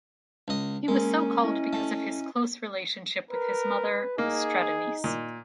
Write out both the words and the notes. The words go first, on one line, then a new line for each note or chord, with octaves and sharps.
He was so-called because of his close relationship with his mother Stratonice.
C#2 D#5
G#3 A#3 C#4 A#4
E4 D#5
A3
A#4 B4
A#3 D#4 G#4
A#2